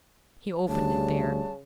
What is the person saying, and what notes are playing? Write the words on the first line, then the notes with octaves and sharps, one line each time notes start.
He opened it there.
D2 C#3 G3 A5